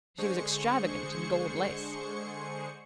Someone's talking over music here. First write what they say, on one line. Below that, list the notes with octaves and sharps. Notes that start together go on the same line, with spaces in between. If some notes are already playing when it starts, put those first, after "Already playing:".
She was extravagant in gold lace.
D3 G#3 G#4 C5 C#6 C#7